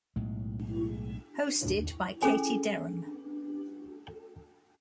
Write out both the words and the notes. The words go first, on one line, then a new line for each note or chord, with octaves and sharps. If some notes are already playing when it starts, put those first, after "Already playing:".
Hosted by Katie Derham.
B1 A2 G#3
C#4 G#4 A4 G#5